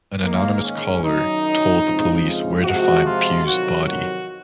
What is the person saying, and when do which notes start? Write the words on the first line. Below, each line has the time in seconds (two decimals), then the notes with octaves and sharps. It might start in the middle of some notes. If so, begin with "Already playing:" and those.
An anonymous caller told the police where to find Pue's body.
0.22 G#2 D#3 G#3 A#3
0.62 C#4
1.02 F#2 D#3 F#3 D#4
1.84 F2 C#3 F3 G#3
2.24 F4
2.64 C3 F3 G#3 F#4
3.04 F4
3.45 F2 C3 D#3 F#3 F#4
3.86 F#4